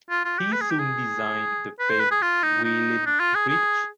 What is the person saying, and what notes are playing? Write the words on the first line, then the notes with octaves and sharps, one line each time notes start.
He soon designed the famed "Welin Breech".
F4
F4
G4
B4
G#4
G4
G#4
B4
C5
B4
G#4
F4
D#4
D#4
D4
F4
G#4
G#4